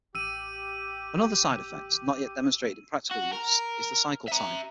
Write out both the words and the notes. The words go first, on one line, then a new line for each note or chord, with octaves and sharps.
Another side effect, not yet demonstrated in practical use, is the cycle time.
A1 G4 E6 D#7
F#4
A#4
E5 A#5